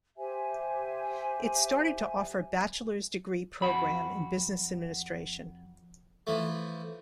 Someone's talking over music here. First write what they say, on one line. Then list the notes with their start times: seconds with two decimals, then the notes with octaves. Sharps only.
It started to offer bachelor's degree programme in Business Administration.
0.17 G4 C5 E5 G#5
3.62 F2 A#2 F#4 B5
6.27 E3 F3 A3